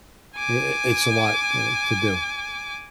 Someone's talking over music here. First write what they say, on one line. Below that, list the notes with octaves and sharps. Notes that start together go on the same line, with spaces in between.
i i it's a lot, eh, to do,
G#5 D6